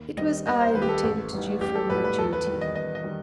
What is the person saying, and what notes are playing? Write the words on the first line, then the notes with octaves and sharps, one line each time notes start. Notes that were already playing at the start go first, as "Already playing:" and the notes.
It was I who tempted you from your duty.
Already playing: D#2
D#3 G3 C4 D#5
D#2 D#5
C5
D#3 G3 C4 B4
G4
A4
A1
A2 G3 B3 D#4
A1 G4
A4
A2 G3 B3 D#4 B4
B4
E2 A4
B4
D#3 G3
D#5
E2 D#5
D#5
D#3 G3